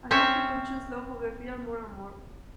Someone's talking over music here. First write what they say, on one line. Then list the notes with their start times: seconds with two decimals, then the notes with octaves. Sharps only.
I hope people choose love over fear more and more.
0.11 C4 C#4 E5